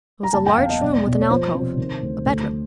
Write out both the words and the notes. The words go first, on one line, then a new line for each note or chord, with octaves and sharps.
It was a large room with an alcove--a bedroom.
A#5
F#1 A5
G5
E2 F5
D#5
B1 D5
B2
D5
C#5
F3 C5
C3
D#3
D2
D2